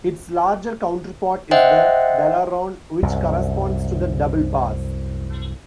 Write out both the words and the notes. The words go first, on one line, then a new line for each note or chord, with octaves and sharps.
Its larger counterpart is the "dalaruan", which corresponds to the double bass.
C5 D#5 E5 F#5 G5
C2 F#2